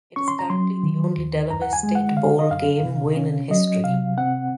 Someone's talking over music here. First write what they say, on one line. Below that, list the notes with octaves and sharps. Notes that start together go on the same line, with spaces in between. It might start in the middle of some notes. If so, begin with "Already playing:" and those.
It is currently the only Delaware State bowl game win in history.
C#4 C#6
C6
A#5
F#3 C6
D#3
D#2
F#2 A#5
F#5
G#5
G#3
F#5
C#3 F5
D#5
F#2 F5
C3
C#4
F#3 D#5
C3 F5
C4 F#5